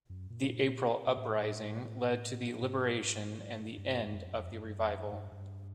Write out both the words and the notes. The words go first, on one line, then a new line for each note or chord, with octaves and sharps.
The April Uprising led to the liberation and the end of the Revival.
F#2
A#2
A#2
A2
G#2
G2
G2
F#2
F2
F#2
F2
G2
G2
F2
F#2
G#2
G2
G2